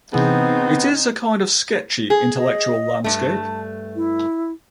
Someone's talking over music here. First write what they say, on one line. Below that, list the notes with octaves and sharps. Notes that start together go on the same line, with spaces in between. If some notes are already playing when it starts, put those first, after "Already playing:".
It is a kind of sketchy intellectual landscape.
C3 E3 B3 C4 D#4 G#4
G#4
D#5
G2 A3 A5
E4